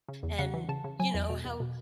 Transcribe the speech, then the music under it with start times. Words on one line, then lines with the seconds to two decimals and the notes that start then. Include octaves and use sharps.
and, you know, how
0.09 C#3
0.23 E2
0.39 C#3 F#5
0.54 E3
0.69 C#3 A5
0.84 C#3
0.99 F#3 G#5
1.14 E2
1.30 B2
1.45 E2
1.60 B2